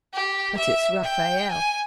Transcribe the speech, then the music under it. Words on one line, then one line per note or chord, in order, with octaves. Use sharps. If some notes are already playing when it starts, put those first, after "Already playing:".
"But it's Raphael."
G4
E5
G5
G#5